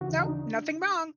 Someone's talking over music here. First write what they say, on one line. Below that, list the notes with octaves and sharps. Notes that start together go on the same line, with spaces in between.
No. Nothing wrong."
D#2 C#3 E3 F#4
D#4
D4